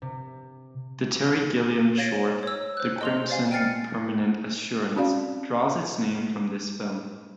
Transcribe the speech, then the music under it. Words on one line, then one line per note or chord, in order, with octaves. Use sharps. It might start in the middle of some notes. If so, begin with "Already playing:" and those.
The Terry Gilliam short, "The Crimson Permanent Assurance," draws its name from this film.
C3
C#5 F5 A6 A#6
C#5 E6
C5 F#6
D#5 C6 F7
C5 D5 F5 G#5
G5 G#5 F6 A6 C7 C#7
C4 C#4 F#4 D5 F5